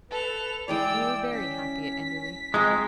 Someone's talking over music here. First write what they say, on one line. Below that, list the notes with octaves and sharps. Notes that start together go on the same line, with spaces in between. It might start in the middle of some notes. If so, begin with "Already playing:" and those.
We were very happy at Enderley.
A4 B4 F7
E3 G#3 G#4 D5 G5 E6
C#4 B6
G#3 C4 F4 A#5